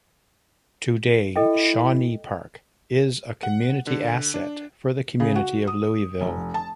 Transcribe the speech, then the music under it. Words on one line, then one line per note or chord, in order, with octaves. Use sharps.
Today, Shawnee Park is a community asset for the community of Louisville.
E4 A4 D#5 G5
F#5
D3
D4
C#3
F#4
D#6
F1
A5